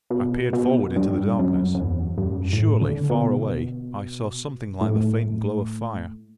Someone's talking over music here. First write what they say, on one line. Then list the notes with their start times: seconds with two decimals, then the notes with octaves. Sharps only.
I peered forward into the darkness: surely, far away, I saw something like the faint glow of fire.
0.10 B2
0.53 B2
0.96 G2
1.39 F#2
1.75 F#2
1.81 E2
2.18 G2
2.24 F#2
2.53 A2
2.81 D3
3.10 B2
4.81 A2